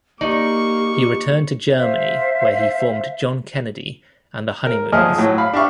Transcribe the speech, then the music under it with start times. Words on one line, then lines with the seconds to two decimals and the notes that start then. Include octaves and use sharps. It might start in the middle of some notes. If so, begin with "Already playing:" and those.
He returned to Germany where he formed John Kennedy and the Honeymooners.
0.21 A#3 D#4 G4 D5 C#6
1.77 C5 E5 F5
4.67 A#4
4.92 B1 F3 G#4 D#5 F6
5.18 A2 F#3
5.38 F5 B5
5.53 D4 G4 E5 F5 C#6